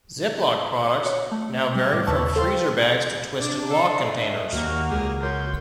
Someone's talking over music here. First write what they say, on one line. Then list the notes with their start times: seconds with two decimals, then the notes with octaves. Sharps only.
Ziploc products now vary from freezer bags to twist n' loc containers.
1.01 F#4 C#5
1.32 A3
1.75 G3
1.93 A2 D6
2.07 D#2 C#3 B4 A5 C#6 E6
2.36 A4 C5 F5 G5 C6 E6
3.40 G#2 D4 D5
3.71 A4 C7
4.04 G#3 A3
4.53 D#2 A#3 F#4 F6
4.90 C#2 G4 G#4
5.23 F#2 C6 G6